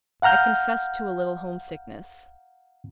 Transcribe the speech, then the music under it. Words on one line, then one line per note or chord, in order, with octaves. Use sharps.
I confessed to a little homesickness.
F5 F#5 A#5 F6 G6